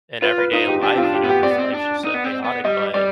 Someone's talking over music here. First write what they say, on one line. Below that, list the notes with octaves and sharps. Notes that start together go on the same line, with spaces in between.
in everyday life, you know, 'cause life's just so chaotic, but,
F4 B4
B4
D#4 F4
G4
D4 G4
C4 F4
D4
G4
B3
G4
C4 D5
B3
C4
D4
D#4
B3
C4
B3
G3 D#5
G3 D5